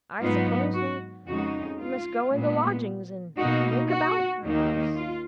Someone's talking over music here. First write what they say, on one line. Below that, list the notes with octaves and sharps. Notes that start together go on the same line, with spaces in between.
'I suppose we must go into lodgings, and look about for a house.
G#2 F#3 B3 D#4 F4
F#4
F2 C#3 G#3 D#4 F#4
F4
A#2 G#3 B3
B2 A#3 D#4 F#4
F#4
D#2 D#3 A#3 D#4
F4